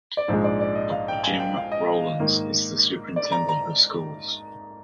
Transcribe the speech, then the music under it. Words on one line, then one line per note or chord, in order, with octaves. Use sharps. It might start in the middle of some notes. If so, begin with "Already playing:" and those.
Doctor Jim Rollins is the Superintendent of Schools.
D5
A#1 G#2 F3 G#3 C5
D5
D5
D#5
F5
G5
G#5
G5
F5
D#5
G#2 D#3 A#3
D5
A#5
A#5